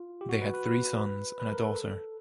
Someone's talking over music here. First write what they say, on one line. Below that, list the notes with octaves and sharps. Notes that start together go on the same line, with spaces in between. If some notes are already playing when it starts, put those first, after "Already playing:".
They had three sons and a daughter.
Already playing: F4
G4
F#4
B4
B4
B4
B4
A#4
A4